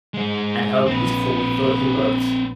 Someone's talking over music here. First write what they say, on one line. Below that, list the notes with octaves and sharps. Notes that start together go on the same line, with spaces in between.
And how beautiful we thought he looked!
G#3 C5
A#1 C4 B4